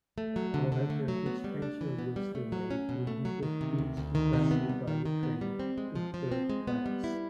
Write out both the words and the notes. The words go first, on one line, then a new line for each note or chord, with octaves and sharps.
However, his transfer was delayed when he refused to travel via train in third-class.
A3
F#3
D3
D3
A3
F#3
B3
G3
D4
E3
B3
G3
A3
F#3
C#4
B2
A3
F#3
D#3
C3
D2
D2
D#3
C3
B3
G3
D#3
D#3
B3
G3
C4
G#3
F3
F3
C4
G#3
B3
G3
E4